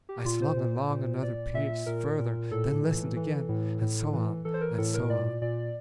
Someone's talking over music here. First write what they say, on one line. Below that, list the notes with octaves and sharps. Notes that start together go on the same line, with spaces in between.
I slunk along another piece further, then listened again; and so on, and so on.
G4
A#2 F4
C5
A#2
A#2
A#2 D5
A#2 E5
A#2 A#4
A#2
A2 A4
E3
E3
A2
A2
E3
E3 A4
C5
A#4
A2 A4
A#4
A#2 D5
A#2 D5